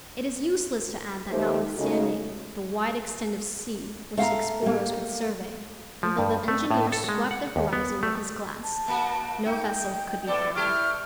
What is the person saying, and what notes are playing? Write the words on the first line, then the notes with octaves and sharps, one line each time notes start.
It is useless to add that notwithstanding the wide extent of sea which the explorers could survey, and though the engineer swept the horizon with his glass, no vessel could be found.
D#2 A3 D#4 G4 C5
C#3 G#3 A3 D#4 F#4 A4
A3 F5 G5 A#5
G3 A#3
F3
G2
A3
A2
A4
G#3
F#5
D#2
B3
A3
A5
A3 A#3 F#4
D#4 G5
A2 B3 A4 D5
E4 G4 A4 C#6 F6